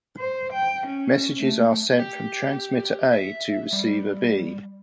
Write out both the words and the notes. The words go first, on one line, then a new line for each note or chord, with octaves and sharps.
Messages are sent from transmitter A to receiver B.
C5
G5
C#4
A3
G4
E5
G3